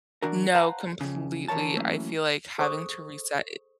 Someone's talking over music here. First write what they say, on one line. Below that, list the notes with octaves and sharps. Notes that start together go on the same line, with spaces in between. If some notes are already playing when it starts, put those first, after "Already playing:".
No, completely, I feel like having to reset i
E3 D4 F#4 A#4
B4 C5 F5 F#5 A5 A#5
F2 C#3
D#2 E3 A#4 C#5 A5
E3 F#3 A3 A#3 C#4
G#4 A4 C5 C#6 D#6